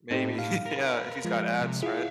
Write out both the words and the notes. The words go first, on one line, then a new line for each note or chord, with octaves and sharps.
Maybe, yeah, if he's got ads, right?
A2 C4 D#4 G4 A4 C5
F5
A#4 B4
F3 G#3
C3
E4 F4 G#4 E5 F5